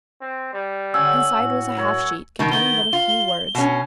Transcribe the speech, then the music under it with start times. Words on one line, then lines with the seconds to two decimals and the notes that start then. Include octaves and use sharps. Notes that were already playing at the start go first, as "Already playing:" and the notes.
Inside was a half sheet containing but a few words.
0.21 C4
0.53 G3
0.94 D3 C#4 F#5 G#5 E6
1.35 A2 F#4
1.77 F#3 A#4 C#5
2.39 B2 D#3
2.51 D#3 B3 G7
2.93 F4
3.55 B2 C#4